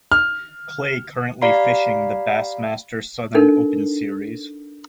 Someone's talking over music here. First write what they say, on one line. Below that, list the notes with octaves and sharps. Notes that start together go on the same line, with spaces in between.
Clay currently fishing the Bassmaster Southern Open series.
F6
G4 D5 F5 A#5 B5 C7
D4 D#4 A4 A#4